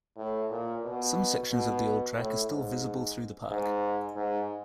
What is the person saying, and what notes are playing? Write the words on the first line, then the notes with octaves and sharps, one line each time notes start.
Some sections of the old track are still visible through the park.
A2
A#2
B2
B2
A2
G#2
G#2
G#2